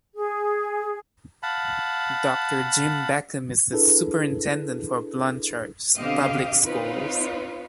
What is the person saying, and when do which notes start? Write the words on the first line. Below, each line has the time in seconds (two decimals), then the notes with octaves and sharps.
Doctor Jim Beckham is the Superintendent for Blanchard Public Schools.
0.16 G#4
1.43 F5 F#5 A5 B5
3.72 D4 E4 G#4 A4 B4
5.98 B2 D3 C4 G4 D#5 F5
6.65 C4 D#4 F4 B4 C#5